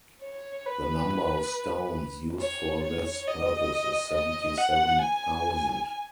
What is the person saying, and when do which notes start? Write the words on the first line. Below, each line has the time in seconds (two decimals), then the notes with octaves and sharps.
The number of stones used for this purpose is seventy-seven thousand.
0.22 C#5
0.66 B4
2.40 C#5
2.83 C#5
3.27 D#5
4.14 D#5
4.58 F#5
5.01 G#5